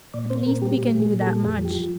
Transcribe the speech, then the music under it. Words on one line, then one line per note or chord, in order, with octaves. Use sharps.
At least we can do that much.
A#2 D5
C4 C5
A#2 A#4
G3 G4
A#2 G4
A#2
G#4
A#2
A4
G3
F2 G#4
F3
G4
F3